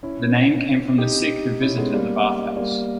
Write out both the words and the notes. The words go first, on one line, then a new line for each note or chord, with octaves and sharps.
The name came from the sick who visited the bath house.
C#4 E4
D#4 G4
C#4 E4
G#3 B3
G3 A#3
G3 A#3